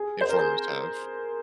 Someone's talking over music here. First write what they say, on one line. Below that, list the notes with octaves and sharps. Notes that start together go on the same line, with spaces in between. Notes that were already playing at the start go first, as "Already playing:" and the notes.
informers have.
Already playing: G#4
C5
A#4
G#4